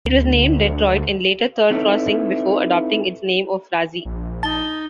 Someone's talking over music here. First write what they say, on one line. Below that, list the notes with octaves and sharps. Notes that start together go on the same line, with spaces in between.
It was named Detroit and later Third Crossing before adopting its name of Frazee.
D2
C4 D#4 E4 A4 B4 C#5
A#1
D#4 A5 G7